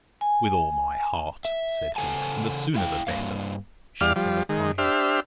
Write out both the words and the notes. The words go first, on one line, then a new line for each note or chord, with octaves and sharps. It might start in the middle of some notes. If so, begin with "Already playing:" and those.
With all my heart, said he; and the sooner the better. She fell a crying.
G#5
E5
C#3 A4 F#5 G#5 A5
E4 F5 G5
G2 A#3 F5
E2 G3 D5 F5 F6
F3 G3
D#3 G#3
D4 G4 C5 E5 F6